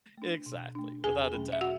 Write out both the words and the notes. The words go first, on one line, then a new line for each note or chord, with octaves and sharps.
exactly, without a doubt.
A3 D4
B2
A3 D4
E2 G#4 G#5
B2 F#3 A3 C#4
E5
F#4 F#5